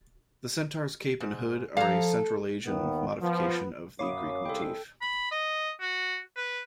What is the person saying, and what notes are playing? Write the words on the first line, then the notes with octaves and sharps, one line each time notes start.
The centaur's cape and hood are a central Asian modification of the Greek motif.
G#2
F3 A4 F5 A#5
D#2 D#3 B3
F3 B3
F#2 C#5 F5 B5 D6 D#6
C2 G#3 A4 G5
B5
D#5
F#4
B4